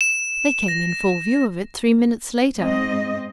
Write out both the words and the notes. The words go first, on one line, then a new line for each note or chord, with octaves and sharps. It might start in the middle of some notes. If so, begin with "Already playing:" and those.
They came in full view of it three minutes later.
E7
A#6
G#2 C4 D#5